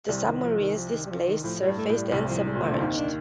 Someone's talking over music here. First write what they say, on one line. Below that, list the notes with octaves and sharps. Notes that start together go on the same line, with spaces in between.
The submarines displaced surfaced and submerged.
C2 C3 G3
D#3
F3
D#3
F3
D#3
G3
F3
D#3
A2 F3
G3
G2
A3
G2
A2
G3
C2 C3 G3
F3
F3
G3
A#2
C3 A3
D3
D#2 D#3 C4
D4